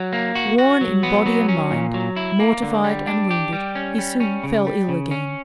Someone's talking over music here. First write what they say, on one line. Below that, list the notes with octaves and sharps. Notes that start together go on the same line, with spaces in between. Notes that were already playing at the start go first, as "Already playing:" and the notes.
Worn in body and mind, mortified and wounded, he soon fell ill again.
Already playing: F#3
A#3
F#4
F#4
F#3
B3
F#3
C#4
A#2
F#3
E4
A#3
D3
G3
D4
G4
G3
C#4
G3
C#4
C#3
G3
C#3
C#4